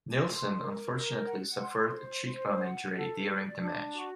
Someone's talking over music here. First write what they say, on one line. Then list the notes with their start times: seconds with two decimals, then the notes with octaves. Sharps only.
Neilson unfortunately suffered a cheekbone injury during the match.
0.25 C6
0.59 A#4
0.92 A#4
1.26 F#5
1.59 C6
1.93 C5
2.26 C5
2.60 F#5
2.93 A4
3.27 D5
3.61 D4
3.93 F#4